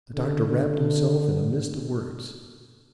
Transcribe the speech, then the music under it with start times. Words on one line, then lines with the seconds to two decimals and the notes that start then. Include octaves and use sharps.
The doctor wrapped himself in a mist of words.
0.15 D3
0.49 D3